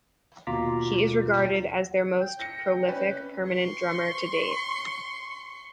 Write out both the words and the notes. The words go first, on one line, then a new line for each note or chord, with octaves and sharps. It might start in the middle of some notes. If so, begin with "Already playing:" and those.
He is regarded as their most prolific 'permanent' drummer to date.
D#2 B2 F4 A#5 D6 B6
G5
A#6 C#7
C#4 B4
C6 C#6